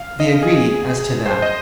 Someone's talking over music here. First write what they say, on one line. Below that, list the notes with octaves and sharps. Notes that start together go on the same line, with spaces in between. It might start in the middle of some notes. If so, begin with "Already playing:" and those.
They agreed as to that.
Already playing: F5
D#5
G#4
C5
D#5